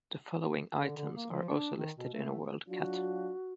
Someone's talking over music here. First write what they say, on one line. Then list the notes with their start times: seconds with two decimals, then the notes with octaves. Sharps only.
The following items are also listed in WorldCat.
0.80 D3
0.97 D3
1.16 A#3
1.30 F3
1.49 D4
1.78 D#3
1.98 B2
2.13 A3
2.69 F#3 D4 F4 F#4